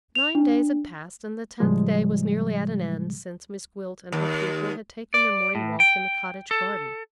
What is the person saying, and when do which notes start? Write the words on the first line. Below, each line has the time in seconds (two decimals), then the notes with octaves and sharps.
Nine days had passed, and the tenth day was nearly at an end, since Miss Gwilt and her pupil had taken their morning walk in the cottage garden.
0.15 F7
0.35 D4
1.60 A2 C#3 F3 G3 G#3
4.12 D#2
5.14 D5
5.55 A2
5.80 G5
6.51 A4